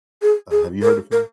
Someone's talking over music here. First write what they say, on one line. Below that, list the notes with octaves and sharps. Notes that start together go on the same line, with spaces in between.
Uh, have you heard of him?
G#4
G#4
A#4
A#4